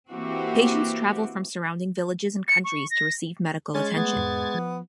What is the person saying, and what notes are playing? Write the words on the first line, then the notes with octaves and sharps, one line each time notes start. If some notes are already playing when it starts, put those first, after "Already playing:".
Patients travel from surrounding villages and countries to receive medical attention.
E3 A#3 C4 F#4 G4
C#7
C#6
A#6
G#3 C#4 G#6 A6
A3 B3
E2 G#2
F3